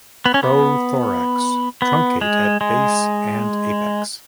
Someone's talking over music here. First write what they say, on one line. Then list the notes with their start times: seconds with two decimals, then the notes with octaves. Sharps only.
Prothorax truncate at base and apex.
0.26 B3
0.34 C#4
0.43 B3
1.82 B3
2.21 G#3
2.61 G#3